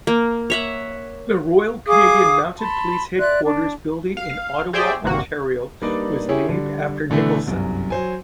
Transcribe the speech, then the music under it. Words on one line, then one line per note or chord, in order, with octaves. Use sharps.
The Royal Canadian Mounted Police headquarters building in Ottawa, Ontario was named after Nicholson.
A#3
C#5 E5 F#5
G#4 F5 D6 D#6
A5 B5 C6
D5 E5 C6 F#6
D4
F5
G4 G#4 C5 D5 E5 G5
G#1 C3 A#3 F#4
G3 A#3 D4 D#4 B4 D5
C#4 E4 G4 G#4 C#5
D3 G3
B2 D3 E3 A3 B3
G1 C2 F#2
F#3 C5 G#5